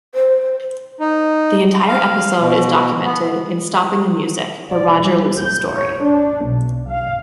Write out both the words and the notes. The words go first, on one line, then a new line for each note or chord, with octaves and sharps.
The entire episode is documented in Stopping the Music: The Roger Lucey Story.
C5
D#4
F5
B2
B3
D5
G3
G6
C#5
D4
B1
F5